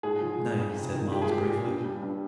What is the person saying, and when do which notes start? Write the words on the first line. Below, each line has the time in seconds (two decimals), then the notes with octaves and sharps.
"Nay," said Myles, briefly.
0.03 G#2 G#4
0.21 F3
0.40 G#3
0.57 F2
0.76 C3
0.94 D#3
1.11 A#2 G4
1.22 G#4
1.30 G#3 G4
1.47 A#2
1.66 G2
1.84 G3
2.02 G2